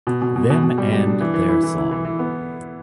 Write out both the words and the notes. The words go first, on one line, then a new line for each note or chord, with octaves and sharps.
Them and their song!
B2
B2
B2
B2
B2
G3
G3
D4
E3
E3
E4
E3
E4
E3
E3
B3